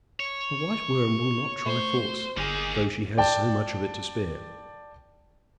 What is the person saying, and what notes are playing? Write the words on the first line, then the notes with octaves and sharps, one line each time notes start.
The White Worm will not try force, though she has so much of it to spare.
C#5
A3 C5
G1 A#3 D#4 G#4
D5 G5 A5